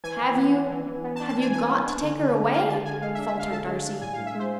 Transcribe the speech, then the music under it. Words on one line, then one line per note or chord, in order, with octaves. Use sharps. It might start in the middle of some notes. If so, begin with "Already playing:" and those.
"Have you--have you got to take her away?" faltered Darcy.
E3 G#5
E3
B3
D4
E3
E3
B3
A5
D4
A5
E3 G#5
E3 G#5
B3
D4
D3
D3
G#3
D4 F5
D3 A5
D3 G#5
G#3 F5
E5
D4
E5
D3 F5
D3 A5
G#3
D4
A2 G#5
A2 F5
E5
G#3 C5